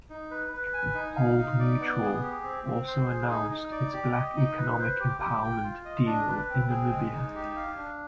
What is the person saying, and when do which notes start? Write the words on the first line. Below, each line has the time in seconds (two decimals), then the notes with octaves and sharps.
Old Mutual also announced its Black Economic Empowerment deal in Namibia.
0.10 D#4
0.31 B4
0.53 B4
0.74 G#5
0.94 D#4
1.16 F5
1.38 D#4
1.59 D5
1.80 B3
2.01 G#4
2.22 G4
2.44 C4
2.65 C4
2.87 C5
3.08 G#4
3.30 D#4
3.50 D#4
3.72 D5
3.93 G4
4.15 D#5
4.36 D#4
4.58 B4
4.79 C5
5.00 G4
5.21 G4
5.43 G5
5.63 F4
5.85 D#5
6.06 D4
6.28 B4
6.49 C4
6.70 G#4
6.91 G#3
7.13 D#4
7.35 G4
7.56 F5
7.77 D4